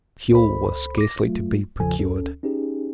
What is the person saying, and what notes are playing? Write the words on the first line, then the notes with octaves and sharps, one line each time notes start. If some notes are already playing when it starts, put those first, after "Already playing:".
Fuel was scarcely to be procured.
C#2 A4 C5 B5
D6 A#6
F#3 A3 F4
G#1 E2 C#3 F3 A4 G#5
D2 C#4 A4
C#4 D#4 G4 G#4